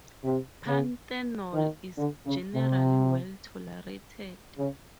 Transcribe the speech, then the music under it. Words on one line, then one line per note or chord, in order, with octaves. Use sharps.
Panthenol is generally well tolerated.
C3
C#3
D#3
D3
C#3
C3
C#3